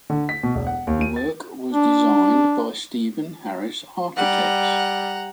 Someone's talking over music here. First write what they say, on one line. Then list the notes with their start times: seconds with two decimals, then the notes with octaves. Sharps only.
The work was designed by Steven Harris Architects.
0.10 D3
0.29 B6
0.43 B2
0.55 E1
0.67 F#5
0.87 D#2
1.01 D#7
1.16 A6
1.74 D4
4.17 G3 F#5 A#5